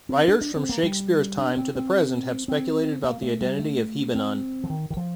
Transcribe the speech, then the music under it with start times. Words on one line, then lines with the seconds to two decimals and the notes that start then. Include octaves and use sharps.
Writers from Shakespeare's time to the present have speculated about the identity of hebenon.
0.09 C4
0.28 D4
0.41 D4
0.56 C4
0.69 A#3
0.83 G3
1.38 D4
1.57 C4
1.75 C4
2.48 C4
3.03 A#3
3.22 A3
3.41 G3
3.59 A3
4.15 C4
4.64 F3
4.70 D#3
4.90 D#3
4.97 F3